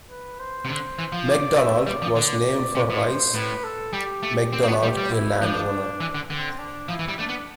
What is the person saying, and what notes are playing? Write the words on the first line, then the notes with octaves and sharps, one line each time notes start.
McDonald was named for Rice McDonald, a landowner.
B4
C5
C3
D3 C5
E3
F3
D5
E5
G3 D5
F3
D3 D5
C3
A2
C5
A2 B4
A4
G3 G4
A3
C4
C4
B3
G3 G4
G3
E4
F3 D4
E3
D3
D3 C4
D4
F3 E4
E3
G3
A3 D4
B3